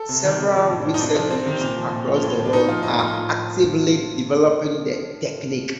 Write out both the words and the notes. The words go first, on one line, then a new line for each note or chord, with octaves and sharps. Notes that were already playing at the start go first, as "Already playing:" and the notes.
Several research groups across the world are actively developing the technique.
Already playing: A4
C3
D#3
C3
F3
A2
F3
D#4
C3 D4
F3
C3 C4
D#3
A#2
F3
A#2
F3
A2
F3
D4
A#2 D#4
F3 F4
A2 D#4
F3 F4
A2
F3